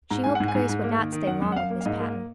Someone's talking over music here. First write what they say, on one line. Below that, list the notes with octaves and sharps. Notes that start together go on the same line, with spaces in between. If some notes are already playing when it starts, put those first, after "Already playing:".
She hoped Grace would not stay long with Miss Patten.
G#2 A#5
G#2 G#5
G#2 F#5
G#5
G#2
G#2
A#3
D#3
D#3
F#2 F#5
F#2
F#5
F#2 F5
A#3
F5
G#2 D#5
A#3